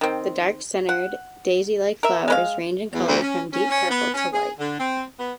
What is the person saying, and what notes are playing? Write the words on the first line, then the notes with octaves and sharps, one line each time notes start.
The dark-centered daisy-like flowers range in color from deep purple to white.
D#3 C4
F#5
A#4 E5
G#3 B4 F5
E2
D2
C#4
C#4
C#4
B3
C#4
G#4
D3
C4
B3